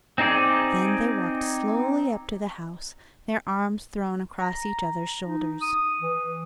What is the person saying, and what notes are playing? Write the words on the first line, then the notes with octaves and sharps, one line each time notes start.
Then they walked slowly up to the house, their arms thrown across each other's shoulders.
C4 D#4 G#4 D5
A#5
D#4
D#6
E3